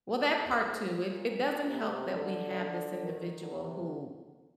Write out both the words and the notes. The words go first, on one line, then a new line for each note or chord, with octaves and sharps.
Well, that part too, it it doesn't help that we have this individual who
A#2
C3
D3
C3
A#2
G#2
A#2
G#2
A#2
C3
D3
C3
C3
D3
D3
D#3
D3
C3